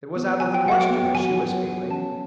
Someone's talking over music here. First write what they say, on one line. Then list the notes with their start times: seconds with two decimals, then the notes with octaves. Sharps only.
It was out of the question, as she was feeling.
0.16 B3
0.40 F#3 G#5
0.54 G5
0.66 F#3 F#5
0.81 G5
0.90 B3
1.15 F#3 G#5
1.41 F#3
1.65 F#3
1.90 C#4 A5